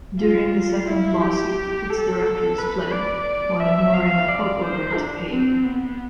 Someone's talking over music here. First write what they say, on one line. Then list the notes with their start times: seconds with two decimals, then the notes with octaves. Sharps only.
During the second lawsuit its directors fled, while ignoring a court order to pay.
0.20 F4
0.87 E4
1.21 G4
1.90 A4
2.58 B4
2.92 D5
3.60 E5
3.94 F5
4.28 D5
4.62 C5
4.97 D4
5.31 C4
5.64 B3